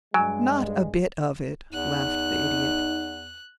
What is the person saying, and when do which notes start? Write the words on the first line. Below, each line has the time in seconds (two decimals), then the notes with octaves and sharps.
"Not a bit of it," laughed the Idiot.
0.14 G2 F#3 G#3 G#5
1.73 E2 D#4 F#6